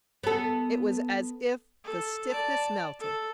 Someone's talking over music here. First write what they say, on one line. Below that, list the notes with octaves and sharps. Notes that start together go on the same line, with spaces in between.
It was as if the stiffness melted.
B3 A4
A4
D5 A5
A4